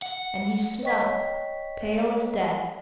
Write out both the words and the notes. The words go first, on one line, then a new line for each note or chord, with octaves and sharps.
And he stood up, pale as death.
F#5
C#5 D#5 G5 C#6 B6